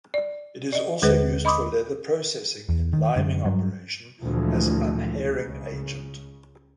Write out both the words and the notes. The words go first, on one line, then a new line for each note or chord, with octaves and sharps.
It is also used for leather processing in liming operation as unhairing agent.
D5
D5 D#5
D#2 D3 G#3 G#4 B4 C5
D#5 B5 C6 D6 D#6
E2
D#3
F#2 D3 G#3
G2 F#3
D2 A#2 E3 F3 G#3
C#2 C#3